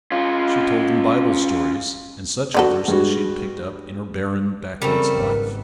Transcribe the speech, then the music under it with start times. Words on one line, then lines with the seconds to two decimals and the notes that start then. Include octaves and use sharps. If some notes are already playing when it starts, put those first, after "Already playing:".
She told them Bible stories and such others as she had picked up in her barren, backwoods life.
0.12 C#4 F4
2.54 D3 B3 F#4 A4 D5
2.88 G2 G#3 F#4
4.82 C#3 E3 G3 A3 C4 A#4
5.16 G#1 B3